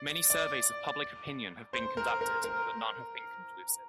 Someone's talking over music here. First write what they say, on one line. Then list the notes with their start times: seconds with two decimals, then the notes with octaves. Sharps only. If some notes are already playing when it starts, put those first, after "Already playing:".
Many surveys of public opinion have been conducted, but none have been conclusive.
Already playing: D5
0.30 D5
1.73 C5
1.97 A#4
2.21 A#4
2.44 A#4